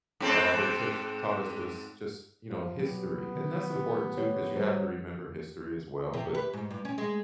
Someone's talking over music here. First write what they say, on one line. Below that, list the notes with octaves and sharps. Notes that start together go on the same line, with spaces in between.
All they touch taught us was just, you know, history, and that's important too 'cause you have to remember history as well, but
G#2 C4 A4
F3
B2 F#3 B3 G4
D#3
G4
G4 C#5
F#3 G3 B4 C5
C3
B4
G#2
G2
C#4
G#3